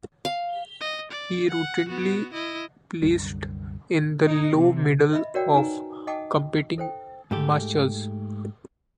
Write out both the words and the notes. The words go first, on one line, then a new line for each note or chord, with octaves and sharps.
He routinely placed in the low middle of competing mushers.
F5
D#5
D5
F#5
B3 F#4
E4 D#5
C2 F#2 D3 G3
D#4
C3
D#5 E5 B5
F#4 A#4 C#5 D5 F#5 G5
D#4 B4 F#5 G#5 A#5
D#5 F#5 G5 A5 D6 D#6
A4 C5 G5
G#2 A3 G4